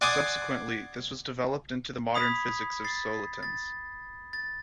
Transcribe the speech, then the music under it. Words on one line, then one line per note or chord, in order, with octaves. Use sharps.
Subsequently, this was developed into the modern physics of solitons.
D5 F#5 G#5 C6 D6 D#6
B5 D#6 G#6 B6
A6 C7
A6
A6